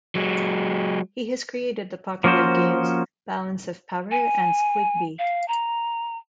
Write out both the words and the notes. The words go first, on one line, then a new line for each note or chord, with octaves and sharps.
He has created the popular games Balance of Power and Squigby.
F#3 G#3
F3 A#3 C#4 F#4 C5
G#5
F5
A#5